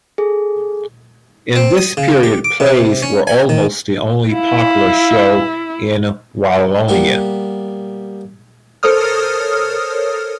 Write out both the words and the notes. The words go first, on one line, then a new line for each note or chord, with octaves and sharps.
In this period plays were almost the only popular show in Wallonia.
G#4 A4
C4
D#6
C#3
G4
D6
C3
C#4
G#5
D#3
E4 F5
G3 A#3 B3 G4
A4 A#4 C5 C#5 D#6 F6